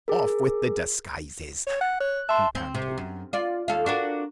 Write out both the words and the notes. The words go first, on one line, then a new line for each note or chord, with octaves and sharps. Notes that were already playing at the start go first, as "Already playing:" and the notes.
"Off with the disguises!" he panted.
G#4 A#4
C#5
F#5
C#5 F#6
E5 A5 C6
C4
C3
F#2
F4 D5
D#2 A4 F5
D4 F#4 A#4